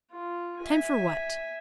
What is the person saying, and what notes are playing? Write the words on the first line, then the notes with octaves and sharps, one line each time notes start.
"Time for what?"
F4
E5 G#5